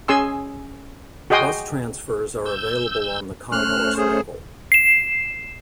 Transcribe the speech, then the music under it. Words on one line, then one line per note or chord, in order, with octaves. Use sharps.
Bus transfers are available on the concourse level.
C#4 G#4 G#5 C6 E6
F#4 G#4 D#5 G5 C6 D#6
E6 G6
A3 C#4 C5 F6 F#6
G#4
C7 E7